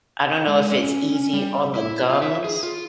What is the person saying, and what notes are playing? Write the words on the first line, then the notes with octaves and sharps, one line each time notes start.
I don't know if it's easy on the gums,
G#3
C#4
G3
E4
F4
E5
G#4
F4